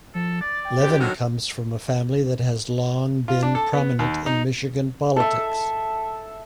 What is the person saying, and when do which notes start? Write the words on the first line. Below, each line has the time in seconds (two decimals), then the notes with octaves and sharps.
Levin comes from a family that has long been prominent in Michigan politics.
0.15 F3 A4
0.41 D5 A6
0.65 G5
0.81 D2 G4 C5
1.00 D3 D#3 F#3
3.28 F4
3.43 D4
3.55 A4
3.73 B3
3.99 D#2
4.26 D#4
5.16 A4 E5